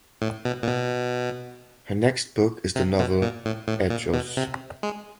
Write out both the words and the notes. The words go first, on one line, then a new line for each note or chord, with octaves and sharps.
Her next book is the novel "Hechos".
A2
B2
A#2
B2
C3
B2
A#2
A2
A2
A#2
B2
C3
G#3